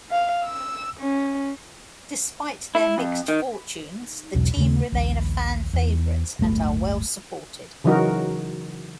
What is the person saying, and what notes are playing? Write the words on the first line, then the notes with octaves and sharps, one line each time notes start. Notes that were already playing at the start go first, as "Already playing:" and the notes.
Despite their mixed fortunes the team remain a fan favorite and are well supported.
F5
E6
C#4
E4
F2
D#3
B1 E2 B2
D#2 C#3 A3
A#1 D#2
E2
D1 G1 A3
C#3 E3 F#3 D#4 F#4 A#4